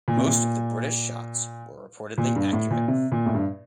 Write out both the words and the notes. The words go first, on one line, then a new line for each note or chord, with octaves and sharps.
Most of the British shots were reportedly accurate.
A#2
C3
A#2
A#2
G2
A2
A#2
C3
A#2
A2
G2